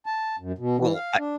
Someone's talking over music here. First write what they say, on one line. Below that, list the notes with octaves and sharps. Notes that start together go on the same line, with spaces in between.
Well, I
A5
F#2
B2
E3
F5
D4